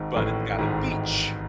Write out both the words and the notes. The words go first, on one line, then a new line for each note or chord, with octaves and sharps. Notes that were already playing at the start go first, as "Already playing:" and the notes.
but it's got a beach,
Already playing: G#1 G#2
A1 A2
G#1 G#2